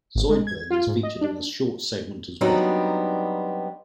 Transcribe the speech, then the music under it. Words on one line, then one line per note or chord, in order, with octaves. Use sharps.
Zoidberg is featured in a short segment as well.
G#1
G#3
G#6
F4
G#2
D#5
D4
F#3 G3 B3 C4 D4 D#4